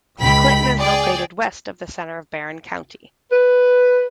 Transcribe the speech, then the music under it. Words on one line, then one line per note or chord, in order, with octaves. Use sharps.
Clinton is located west of the center of Barron County.
C#2 G5 B5 B6
G#4 D5 G5
B4